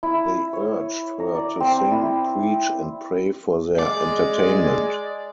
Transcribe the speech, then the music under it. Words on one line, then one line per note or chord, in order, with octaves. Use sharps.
They urged her to sing, preach, and pray for their entertainment.
E4
C#5
A#5
D5
C4
E4
G#3 D5